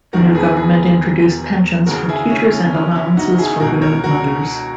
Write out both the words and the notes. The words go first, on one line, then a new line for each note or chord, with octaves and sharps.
The new government introduced pensions for teachers and allowances for widowed mothers.
E1 E2 D#3 F#4 A#4
G#4 B4
G#4 B4
D#2 C#3 E3 F#4 A#4
E4 G#4
C#4 E4
C#4
C#4
C#4 E4
D#4 F#4
E4 G#4
C#2 B2 F#4 A#4
A#4 C#5
F#4 A#4